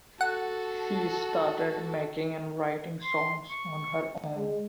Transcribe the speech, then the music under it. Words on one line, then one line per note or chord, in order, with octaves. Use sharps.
She started making and writing songs on her own.
F#4 A4 F#5
C6
C#6
G#3